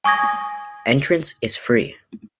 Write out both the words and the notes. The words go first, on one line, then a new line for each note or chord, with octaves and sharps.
Entrance is free.
G#5 C#6 D#6 G#6 A#6